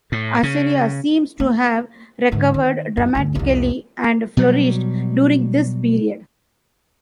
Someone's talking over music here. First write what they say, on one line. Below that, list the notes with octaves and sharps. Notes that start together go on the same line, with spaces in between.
Assyria seems to have recovered dramatically, and flourished during this period.
A2
C#3
A#3
G#2 D3
D#3
F#2
D2 G2
C2 F2
B2 F#3 G3